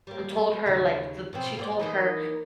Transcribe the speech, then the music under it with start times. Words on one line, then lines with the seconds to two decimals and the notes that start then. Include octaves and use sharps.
uh, told her, like, that she told her,
0.07 G3 A#3
0.36 B3
0.66 D#2 C#3
1.33 B2 F3 C4
1.57 A#3 C4 D5
1.79 E3 A#3 D#4